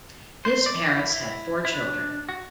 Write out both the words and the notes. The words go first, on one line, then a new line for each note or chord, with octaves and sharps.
His parents had four children.
C5
D5
E4
E4
E4
D4
F#4